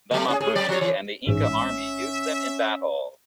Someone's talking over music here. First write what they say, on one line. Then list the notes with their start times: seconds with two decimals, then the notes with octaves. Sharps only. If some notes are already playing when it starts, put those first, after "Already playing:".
The Mapuche and the Inca army used them in battle.
0.11 F#3 A3
0.28 C#4 E4 G#4
0.41 A2 G#4
0.55 F#3 D5
0.69 F3 C#5
0.81 E3
1.27 A1 G#2 C#4 E5